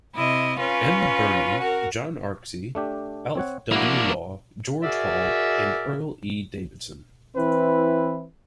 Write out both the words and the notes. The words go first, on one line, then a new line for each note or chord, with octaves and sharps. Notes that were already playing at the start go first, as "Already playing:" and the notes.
M. Birnie, John Arksey, Alf W. Law, George Hall and Earl E. Davidson.
C3 E4 D#5
C#4 F4 B4
F#4 A#4
A3 D4 G4
C4 C#5 F#5
A#3 D4 E4 F#4
F#4 G#4 A#4 D5 E5
E3 C4 E4 B4